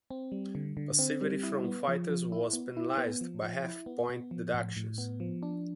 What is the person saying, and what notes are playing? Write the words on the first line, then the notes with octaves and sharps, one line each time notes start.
Passivity from fighters was penalized by half point deductions.
C4
G3
D3
D3
C4
G3
E4
B3
F3
F3
E4
B3
E4
B3
F3
F3
E4
B3
B3
F3
A2
A2
B3
F3
D4